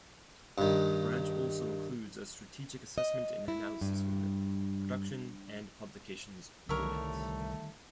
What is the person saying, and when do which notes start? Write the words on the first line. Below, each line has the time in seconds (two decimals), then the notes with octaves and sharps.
The Branch also includes a Strategic Assessment and Analysis Unit, Production and Publications Unit.
0.58 G2 D#3
2.98 D#5
3.48 E4
3.81 G2
6.69 C2 D3 D#3 G3 A3 A#4 C#5 E5